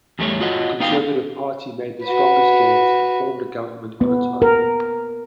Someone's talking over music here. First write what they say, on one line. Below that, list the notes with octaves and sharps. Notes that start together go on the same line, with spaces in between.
The Conservative Party made the strongest gains and formed a government on its own.
E2 G3 A3 D4 C#5
F4 F#4 C#5 D#5 F#5
B3 D#4 B4 F5 G5
F#4 B4
B3
A#4